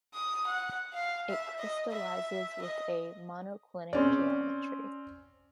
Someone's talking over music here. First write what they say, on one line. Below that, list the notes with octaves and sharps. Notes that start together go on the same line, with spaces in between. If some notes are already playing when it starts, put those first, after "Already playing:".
It crystallizes with a monoclinic geometry.
D#6
F#5
F5
E5
D#5
E5
D#5
C4 C#4 D5